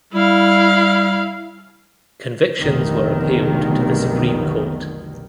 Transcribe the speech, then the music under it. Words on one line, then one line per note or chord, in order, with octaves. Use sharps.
Convictions were appealed to the Supreme Court.
G3 E4 F5
F1 B1 B2 D3 D#3